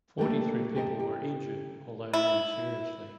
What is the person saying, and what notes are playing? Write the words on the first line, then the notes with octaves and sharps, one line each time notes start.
Forty-three people were injured although none seriously.
A3 A#3 D4 G4 A4
G4 A4 A#4 C5 D#5
G4
E4